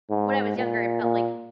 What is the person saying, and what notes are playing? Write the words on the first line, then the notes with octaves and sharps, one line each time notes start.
When I was younger, it felt, like,
G#2
A#2
A#2